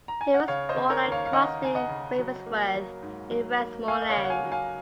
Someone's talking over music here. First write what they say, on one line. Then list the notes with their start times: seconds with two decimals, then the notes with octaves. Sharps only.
He was born at Crosby Ravensworth in Westmorland.
0.08 A#5
0.21 G#5
0.34 F#5
0.48 C#3 C#5 F5
0.69 C5 D#5
0.76 C#3
0.90 A#4 C#5
1.05 D#2
1.12 C#5 F5
1.26 F5
1.33 D#2 D#5 F#5
1.61 C#3 G#5
1.75 D#5 F#5
1.89 C#3
2.18 F#3
2.46 A#3
2.74 F#3
3.03 G#2
3.31 F#3
3.60 A#3
3.88 A#3 F5 G#5
4.02 D#5
4.10 C#5 F5
4.16 C#3
4.24 F#5
4.30 F5 G#5
4.45 F#3
4.52 F5 G#5